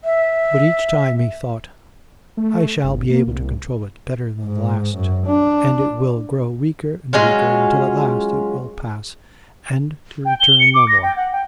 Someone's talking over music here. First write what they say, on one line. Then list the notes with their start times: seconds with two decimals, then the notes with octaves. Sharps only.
But each time he thought, 'I shall be able to control it better than the last, and it will grow weaker and weaker until at last it will pass and to return no more.'
0.04 E5
2.37 A3
2.84 G1
3.10 A#3
3.27 C2
4.43 G#2
4.95 F#2
5.26 D4
7.13 F#3 G#3 C#4 F4
10.25 G5
10.40 G7
10.60 C#7
10.74 D6
10.88 A#6
11.03 G5
11.17 F#5
11.32 G5